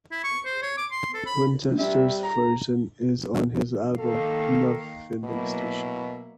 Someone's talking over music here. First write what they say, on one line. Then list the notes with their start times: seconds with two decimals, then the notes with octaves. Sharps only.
Winchester's version is on his album "Love Filling Station".
0.12 E4
0.24 C#6
0.45 C5
0.62 C#5
0.77 D6
0.91 C6
1.14 A4
1.26 B5
1.79 G3 E5
2.23 A#5
3.99 D#3 A#3 A4 F5
5.24 B2 F#3 A#3 E4